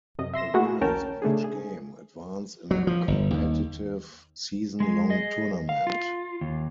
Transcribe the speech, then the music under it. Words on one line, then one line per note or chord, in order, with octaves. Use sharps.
The winners of each game advance in a competitive, season-long tournament.
F#2 C3 D#5
E5 C6 A#6 E7
A3 A#3 E4 F#4 G#4
A#1 D#2 C#4 A#4 G5 A5
C#3 A3 D4 G#4
G#4
F#3
F3
G1
D#2
G#3 G#4
G#4 D#5
F5
F4
D#2